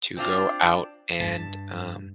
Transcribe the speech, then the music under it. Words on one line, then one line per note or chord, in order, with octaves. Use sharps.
to go out and, um,
C4 D4 F4
G2 A5